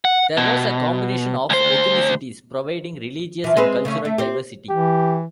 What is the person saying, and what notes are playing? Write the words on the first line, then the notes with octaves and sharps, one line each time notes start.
There was a combination of ethnicities, providing religious and cultural diversity.
F#5
B2
D2 C5
E3 F3
G#3 C4 B4
C#3 A3 C#4
A3
C4 G4
E3 G4